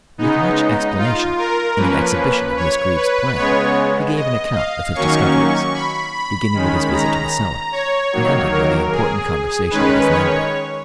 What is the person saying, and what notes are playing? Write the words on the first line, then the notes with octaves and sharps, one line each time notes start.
With much explanation and an exhibition of Miss Greeb's plan, he gave an account of his discoveries, beginning with his visit to the cellar, and ending with the important conversation with his landlady.
C#3 G#3 B3 D#4
F4
A#4
F3 A#3 C#4 B4
C#5
B4
C#3 G#3 B3 C#5
D#5
F5
D#3 F#3 A#3 C#4 C#6
B5
B5
D#3 G#3 C#4
A#5
C#5
D#3 F#3 A#3
A#4
G#4
D#3 G#3 C#4 B4
C#5